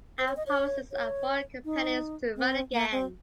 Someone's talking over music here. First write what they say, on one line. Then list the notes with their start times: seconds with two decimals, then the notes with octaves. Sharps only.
Our promises are for companies to run again.
0.19 C5
0.28 C#5
0.37 D#5
0.47 C#5
0.92 C#5
1.65 D#4
2.37 C4
2.72 A#3
2.92 C4